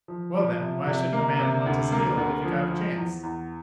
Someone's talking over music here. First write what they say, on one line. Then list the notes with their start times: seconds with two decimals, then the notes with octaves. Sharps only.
"Well, then, why shouldn't a man want to steal it if he got a chance?"
0.08 F3
0.35 F3
0.60 C3
0.87 C3
1.13 A#3
1.39 C3
1.66 D2
1.92 A#3
2.18 D2
2.44 F3
2.70 F3
2.97 E2
3.23 E2